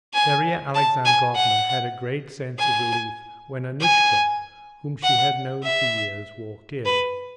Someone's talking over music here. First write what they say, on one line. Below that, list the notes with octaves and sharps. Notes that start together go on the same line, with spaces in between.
Darya Alexandrovna had a great sense of relief when Annushka, whom she had known for years, walked in.
G#5
A5
G#5
F#5
G#5
G#5
F#5
E5
B4